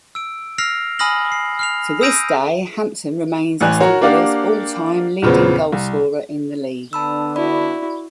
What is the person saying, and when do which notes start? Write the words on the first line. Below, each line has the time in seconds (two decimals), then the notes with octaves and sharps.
To this day Hampton remains Aston Villa's all-time leading goalscorer in the League.
0.15 E6 D7
0.58 E6 F6 A#6 C7 F7
0.99 G#5 B5 D#6 F6 A#6 F#7
1.32 C7
1.59 F6 C7 F7
2.01 D#6 E6 G6 A#6 D7 D#7
3.60 A1 E3 G#5 F#6
3.80 F#4 A#4 C#5 A#5
4.01 A#3 D4 G4 D5 F5 F#5
5.22 E2 A#2 C#3 B3 C4
5.72 C2
6.93 D3 B3 D4 A5 B5 E6
7.36 E4 F#4 D5 B5